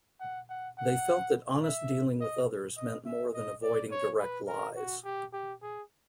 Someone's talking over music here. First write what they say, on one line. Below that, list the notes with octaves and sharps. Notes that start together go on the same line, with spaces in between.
They felt that honest dealing with others meant more than avoiding direct lies.
F#5
F#5
F#5
E5
D#5
D#5
E5
D#5
D5
C#5
B4
A#4
F#4
G4
G4
G#4